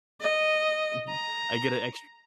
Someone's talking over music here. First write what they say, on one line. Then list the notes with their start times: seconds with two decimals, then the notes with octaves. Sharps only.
Mhm, I get it extr
0.21 D#5
1.09 A#5